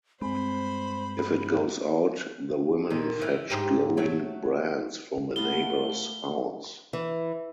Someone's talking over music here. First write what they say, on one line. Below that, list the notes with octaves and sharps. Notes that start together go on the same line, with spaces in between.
If it goes out, the women fetch glowing brands from a neighbor's house.
G2 G#3 C4 C5 B5
A#2 D3 D#3
E3
D2 G#2 G4
F#3 A3
A3 B3 F4 D#5 G7
E3